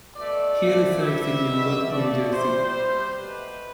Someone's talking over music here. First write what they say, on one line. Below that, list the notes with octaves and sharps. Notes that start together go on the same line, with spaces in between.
He resides in Newark, New Jersey.
B2 A3 D5
A2 F3 A3
C3 G3 E5
B2 G3
G2 F3 A3 D5
C3 G3 C5
C3 G3
B2 A3 B4